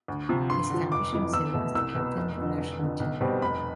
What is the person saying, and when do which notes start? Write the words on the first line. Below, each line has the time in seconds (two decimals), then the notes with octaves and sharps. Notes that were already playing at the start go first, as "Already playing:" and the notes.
He established himself as the captain of the national team.
0.08 D2
0.29 C3 F3
0.50 G2 C6
0.70 D3 F3
0.92 F1 D6
1.12 F2 E3
1.33 E2 E6
1.54 B2 A3
1.75 C2 E6
1.95 B2 B3
2.17 F1
2.37 F2 D3
2.58 F1
2.79 F2 D3
3.00 B1
3.21 B2 G3 C4
3.42 F1 B5